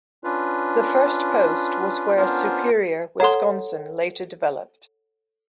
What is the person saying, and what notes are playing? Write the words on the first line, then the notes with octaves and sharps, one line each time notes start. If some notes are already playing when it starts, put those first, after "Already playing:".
The first post was where Superior, Wisconsin, later developed.
C#4 D4 F4 B4
B3 C#4 D4 F4 A#4 C5
A4 C#5 F#5 A#5 C6